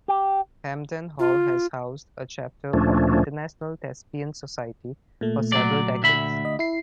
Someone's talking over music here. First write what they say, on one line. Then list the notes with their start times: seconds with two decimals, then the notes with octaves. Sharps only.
Hamden Hall has housed a chapter of the International Thespian Society for several decades.
0.08 G4
1.19 F4
2.73 D2 A#2 F3 A3 C#4 D4
5.21 A#2 A3
5.52 F#3 D5
6.03 D2 E5 B5
6.45 D#5
6.59 E4 C7